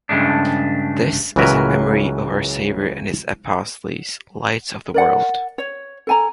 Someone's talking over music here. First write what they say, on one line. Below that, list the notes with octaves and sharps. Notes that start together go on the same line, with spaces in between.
This is in memory of our Savior and his Apostles, lights of the world.
G2 C#3 G#3 A3 D4
C#2 C#3 E3 F#3 A#4 B4
A#4 D5 F#5
C#5
A4 G#5 A#5